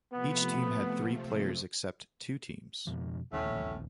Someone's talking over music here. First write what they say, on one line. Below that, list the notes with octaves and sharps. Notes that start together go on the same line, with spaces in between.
Each team had three players except two teams.
C3 F3 A3 B3
F2 B2 F3
D1 A#1 D#2 A2 C#4 E5